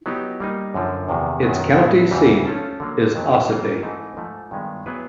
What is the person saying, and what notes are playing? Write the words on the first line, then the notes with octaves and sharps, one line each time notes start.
Its county seat is Ossipee.
F#3 B3 D#4 G4
G3 A#3 D#4
F#2 D3 F3
E2 C3 D#3
F#2 D#3 F#3 B3
A2 F#3 B3
E2 C#3 E3 G3 C4
F3 A3 C#4 F4 A4
D3 F#3 A#3
F2 D3 F#3 B3
E3 G3 A#3 C#4 F4
G#2 E3 A3 C4 D#4
G#2 F3 A3
G2 D#3 G#3 B3
F#3 B3 E4 G#4 B4